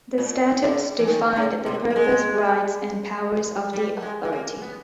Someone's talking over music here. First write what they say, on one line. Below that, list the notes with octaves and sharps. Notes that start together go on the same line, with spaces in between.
The statutes define the purpose, rights and powers of the authority.
A#2
C#3
E3
D#3
C#3
B2
A#3
G#3
G3
G#3
G#3
A#3
B3